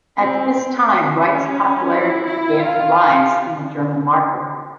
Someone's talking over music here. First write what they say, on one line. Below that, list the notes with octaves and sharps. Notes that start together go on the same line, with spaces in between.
At this time Wright's popularity began to rise in the German market.
C4
C4
C#4
E4
E4
F4